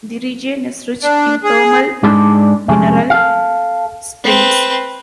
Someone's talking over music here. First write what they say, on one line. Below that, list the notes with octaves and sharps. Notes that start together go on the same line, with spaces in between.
The region is rich in thermal mineral springs.
D4
G#4
G#2 G#3 D4 A4 D5 B5
F2 C3 G#3 A3 C#4
A4 F5
C4 B4